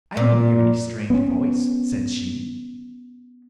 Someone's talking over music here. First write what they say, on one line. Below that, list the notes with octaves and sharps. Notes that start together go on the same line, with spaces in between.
"I don't hear any strange voice," said she.
A#2
B3 C#4